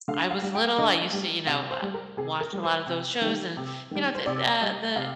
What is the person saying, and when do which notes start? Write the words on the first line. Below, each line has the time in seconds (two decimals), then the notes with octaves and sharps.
"I was little, I used to," you know, uh, "watch a lot of those shows and" you know, the the, uh the
0.08 D3 F5
0.31 F5
0.42 G3
0.55 G5
0.78 D3 D#5
1.13 G3
1.47 C3 F5
1.71 C5
1.82 G3
1.94 A#4
2.17 C3 G#4
2.41 A#4
2.53 G3
2.63 C5
2.86 C3
3.22 D#3 G3
3.57 C3
3.91 D#3 G3
4.15 C5
4.26 C3 D5
4.61 G3 D#5
4.96 C3 F5